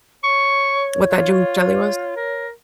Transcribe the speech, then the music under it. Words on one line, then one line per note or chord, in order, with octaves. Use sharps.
what that June's Deli was?
C#5 C#6
F4
A#4